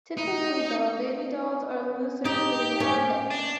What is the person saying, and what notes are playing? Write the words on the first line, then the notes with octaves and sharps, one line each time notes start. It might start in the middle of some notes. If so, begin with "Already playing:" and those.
Typically, though, babydolls are looser fitting at the hips.
D#4
D#4 G4
C#4
D4